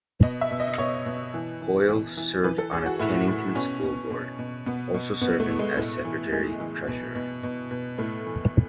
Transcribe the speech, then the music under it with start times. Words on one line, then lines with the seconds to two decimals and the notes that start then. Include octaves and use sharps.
Hoyle served on the Cannington School Board, also serving as secretary treasurer.
0.23 B2 D#5
0.41 E5
0.51 B2
0.60 D#5
0.78 B2 C#5
1.06 B2
1.34 E3
1.62 E3
1.88 E3
2.17 E3
2.44 E3 B4
2.58 A4
2.72 E3 G#4
2.86 F#4
3.00 A2 E4
3.27 A2
3.55 B2 C#4
3.83 B2
4.10 B2
4.39 B2
4.66 B2 B3
4.94 B2
5.21 B2 B3
5.40 A3
5.49 B2
5.59 G#3
5.77 A2 A3
6.05 E3
6.32 E3 G#3
6.60 E3
6.87 B2
7.15 B2
7.43 B2
7.71 B2
7.98 A2 A3
8.26 E3